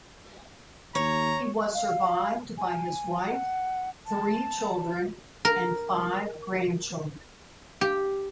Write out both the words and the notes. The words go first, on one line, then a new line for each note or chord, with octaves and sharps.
He was survived by his wife, three children and five grandchildren.
D#2 C#5 A#5
F5
G#5
F#5
A5
A#4
G4